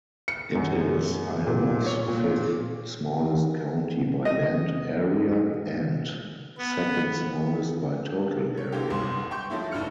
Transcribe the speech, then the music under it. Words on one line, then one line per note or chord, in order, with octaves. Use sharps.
It is Iowa's fifth-smallest county by land area and second-smallest by total area.
C#7
F#2
A#2
C#5
A#2
D#5
B3
C#5
D3 E3 G#3 A#3 G4
G1 C2 C5 C6
G5 C6 C#6 G6
D#3 F3 F#3 A3 E4
F1 A2 D4 F6 C#7